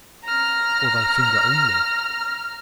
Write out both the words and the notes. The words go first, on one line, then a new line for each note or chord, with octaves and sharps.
Or thy finger only!
A#5 F6